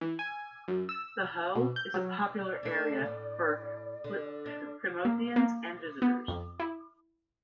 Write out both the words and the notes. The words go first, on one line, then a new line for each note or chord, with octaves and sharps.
The Hoe is a popular area for Plymothians and visitors.
E3
G#5
F#2
E6
B2
G6
F#3
D5
A3 D4
A2
D3
D4
A#3
A#3
B3
F2
E4